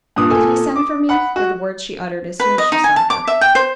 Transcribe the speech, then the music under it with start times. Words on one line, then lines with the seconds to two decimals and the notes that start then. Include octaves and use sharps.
"Did he send for me?" were the words she uttered as soon as she saw her.
0.16 G2 A#2 D#6
0.30 A#2 A4 G#5
0.76 D6
1.09 F#5 B5
1.36 F#4
2.40 B4
2.58 D#5
2.72 D#4
2.84 G#5
2.96 A5
3.10 D6
3.28 E5
3.41 G5
3.55 C5